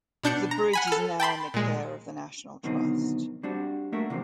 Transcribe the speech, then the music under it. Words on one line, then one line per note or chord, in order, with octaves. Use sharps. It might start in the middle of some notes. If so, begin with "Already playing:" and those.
The bridge is now in the care of the National Trust.
B2 D4 G6 C#7
A#5
F#5 G#5 B5
A4 F6
G5 A5 B5 C6
A#2 G#3
F#2 B2 D3 D#3 C4 D#4
G3 C4 D4 F#4
A3 A#3 D4 F#4 A#4 E5
C3 E3 F3 G#3 C4